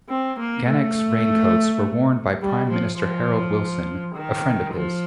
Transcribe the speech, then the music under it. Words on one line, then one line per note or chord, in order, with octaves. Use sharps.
Gannex raincoats were worn by Prime Minister Harold Wilson, a friend of his.
C4
A#3
A3
G3
F3
F3
D#3
F3